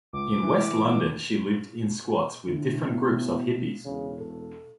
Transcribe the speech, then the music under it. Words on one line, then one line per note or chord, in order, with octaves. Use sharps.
In West London she lived in squats with different groups of hippies.
C#2 D6
E3
A2 D3
B2
E1 C#3
A4